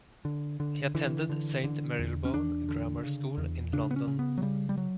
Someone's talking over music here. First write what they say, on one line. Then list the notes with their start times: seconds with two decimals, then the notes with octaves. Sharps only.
He attended Saint Marylebone Grammar School in London.
0.25 D3
0.60 D3
0.95 D3 E3
1.30 D3
1.64 D3
1.99 E2
2.25 C#4
2.34 E2 D4
2.68 D3
3.03 C#3
3.38 E2
3.73 C#3 D4
3.91 B3
3.96 C#4
4.07 C#3
4.19 B3
4.38 F#3
4.42 C#3 G3
4.69 G3
4.78 F#3